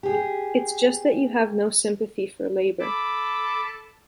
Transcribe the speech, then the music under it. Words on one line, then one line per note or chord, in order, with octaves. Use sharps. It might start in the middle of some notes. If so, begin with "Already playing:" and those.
It's just that you have no sympathy for labour.
G4 G#4
A4 B5 D6